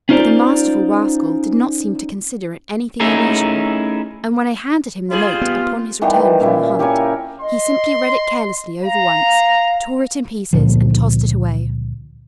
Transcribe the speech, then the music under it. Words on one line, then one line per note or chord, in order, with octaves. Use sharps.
But the masterful rascal did not seem to consider it anything unusual, and when I handed him the note upon his return from the hunt, he simply read it carelessly over once, tore it in pieces and tossed it away.
C#4 D#4 F4 C5 D5 A#5
A3 C#4 D#4 E4 G#4 A#4
G3 F4 G#4
B3
D#3 E3 G3 B3
A#2 C#3 E4
G4 A#4 C#5 G#5
D#5 C6
F5 A#5
C#2 A#2 D3 F3